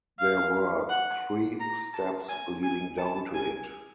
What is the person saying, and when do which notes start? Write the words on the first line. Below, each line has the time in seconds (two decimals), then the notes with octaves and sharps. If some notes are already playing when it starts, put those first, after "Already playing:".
There were three steps leading down to it.
0.19 F5
0.89 F#5
1.60 A#5
1.94 A5
2.29 G#5
2.63 G#5
2.98 A5
3.34 G#5